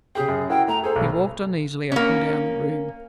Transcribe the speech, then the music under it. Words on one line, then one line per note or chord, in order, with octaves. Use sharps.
He walked uneasily up and down the room.
C#3 G4 G#4 G5
F#2
E4 F#4 A#4 G5
A3 A#5
G#4 A4 C5
B1 G2
A#3 C#4